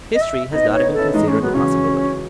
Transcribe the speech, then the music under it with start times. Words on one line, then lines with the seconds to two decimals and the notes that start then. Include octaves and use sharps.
History has not even considered the possibility.
0.14 D#5
0.21 E5
0.52 B3 D#4 D#5
0.67 B3 D#4
0.73 C#5
0.83 B3 D#4
0.93 A4
0.98 C#4 E4
1.13 E3 G#3 D#4
1.28 G#3 C#4
1.41 F#3 B3
1.54 C#3 E3 C#4